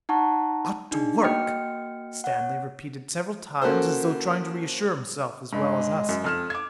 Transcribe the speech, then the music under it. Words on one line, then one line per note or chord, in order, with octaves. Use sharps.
"It ought to work," Stanley, repeated several times as though trying to reassure himself as well as us.
D#4 F#5 A5 A#5 C#6
D4 D#4 G#4
A#3 F#4 D#5 G5 F6 C#7
C#5 F#5
A#3 C#4 F#4 A4 C5
G2 G#3
F#2
F2 F6 E7
D6 G#6